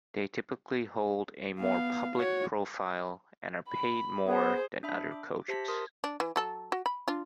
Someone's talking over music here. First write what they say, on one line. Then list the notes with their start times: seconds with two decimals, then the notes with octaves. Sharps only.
They typically hold a more public profile and are paid more than other coaches.
1.60 B3 F5
2.16 F#4 C#5
3.69 B5
4.28 B3 G#4 C5
4.83 D4 E5 B5
5.12 D6
5.48 G4 C5 E5 A5 A#6 B6
5.68 A#4 C6 D#6
6.04 D4
6.20 E3
6.36 F#3 A4 A5
6.72 F#4
6.86 B5
7.08 D4 F4